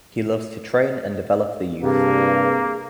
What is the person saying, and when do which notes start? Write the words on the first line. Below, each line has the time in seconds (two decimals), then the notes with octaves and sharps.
He loves to train and develop the youth.
1.83 G2 C3 A#3 G#4